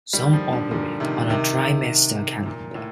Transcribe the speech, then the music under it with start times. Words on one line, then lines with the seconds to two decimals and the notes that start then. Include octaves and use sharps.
Some operate on a trimester calendar.
0.13 D#3 G3
0.32 D3 F3
0.52 D3 F3
0.71 A#2 D3
1.00 C3 D#3
1.29 C3 D#3
2.46 A#2
2.75 A2